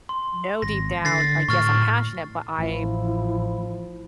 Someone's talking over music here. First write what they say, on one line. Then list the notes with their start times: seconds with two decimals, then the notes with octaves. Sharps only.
know deep down, like, "Yes, I'm passionate, but I
0.09 C6
0.62 G#1 A#6
1.05 D3 A6 A#6 C7
1.49 A2 C#6 F6 A6
2.59 A1 F3 E4